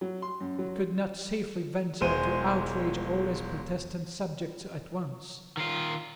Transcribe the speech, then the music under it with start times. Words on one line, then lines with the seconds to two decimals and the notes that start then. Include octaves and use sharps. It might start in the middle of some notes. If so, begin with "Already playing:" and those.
He could not safely venture to outrage all his Protestant subjects at once.
0.01 F#3
0.22 C6
0.40 F#2
0.58 F#3
2.01 E1 G#3 C5 D#7
5.57 D#3 F4